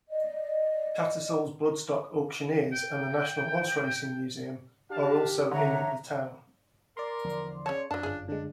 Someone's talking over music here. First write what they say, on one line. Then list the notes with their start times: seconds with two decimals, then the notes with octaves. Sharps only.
Tattersalls bloodstock auctioneers and the National Horseracing Museum are also in the town.
0.09 D5 D#5
2.72 G5
4.02 G5
4.91 D4 G4 F5 A5
5.52 D3 D4 C#5 E5 F#5 A#5
6.97 A#4 D5 C6
7.25 E2 D3 F3
7.66 C#3 C#5 A5
7.91 F#2 F#3 D4 A5
8.03 G1 F4 G#4
8.28 D3 G#3 D4